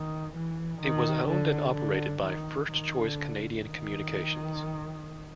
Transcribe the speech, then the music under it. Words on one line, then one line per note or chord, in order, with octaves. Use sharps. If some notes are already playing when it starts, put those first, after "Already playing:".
It was owned and operated by First Choice Canadian Communications.
Already playing: D#3
E3
D#3
D3
D3
D#3
D#3
D3
D#3